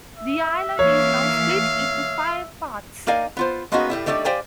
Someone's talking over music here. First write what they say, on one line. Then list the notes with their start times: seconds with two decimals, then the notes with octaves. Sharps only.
The island is now split into five parts.
0.17 E5
0.79 E3 A#3 C#5 F5
3.07 A#3 D#4 A#4 D5 F5 G#5
3.37 B3 F4 C5
3.72 G#3 A#3 B3 C#4 D#4 F#4
3.90 A2 G3 E4
4.06 G3 A3 D4 D#4 C5 D5
4.25 G4 C5 D5 F5 G5 G#5